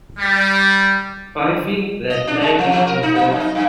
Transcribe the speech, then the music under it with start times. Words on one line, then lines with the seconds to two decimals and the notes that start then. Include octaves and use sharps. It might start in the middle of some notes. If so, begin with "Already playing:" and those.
I think that may be important.
0.18 G3
2.10 D#5
2.27 D4
2.41 G#3
2.59 F3
2.73 F3
2.87 A#4
3.03 D#4
3.15 A#3
3.28 F#2
3.40 D#4
3.55 G2